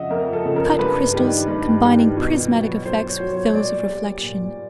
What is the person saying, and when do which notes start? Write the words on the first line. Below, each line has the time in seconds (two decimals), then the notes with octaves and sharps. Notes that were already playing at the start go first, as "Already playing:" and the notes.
Cut crystals combining prismatic effects with those of reflection.
Already playing: F2 C#3 F3 D#5 E5 F#5
0.10 F2 A#4
0.33 A4
0.45 C#3 F3
0.56 A#4
0.79 G2 B4
1.14 D#3 G3
1.48 G2
1.83 D#3 G3
2.17 B2
2.51 F#3
2.85 B2 C5
3.09 C#5
3.20 F#3
3.32 C#5
3.54 A#2 D5
3.89 G3
4.23 A#2